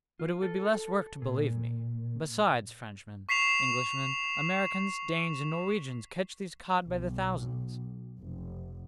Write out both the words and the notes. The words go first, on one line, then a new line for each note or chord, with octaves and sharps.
But it would be less work to believe me. Besides, Frenchmen, Englishmen, Americans, Danes, and Norwegians catch these cod by the thousands.
F4
A4
A#2
C#6 B6 C7 E7 F7
B1
F1